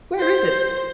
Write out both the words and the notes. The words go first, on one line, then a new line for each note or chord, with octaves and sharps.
"Where is it?"
C5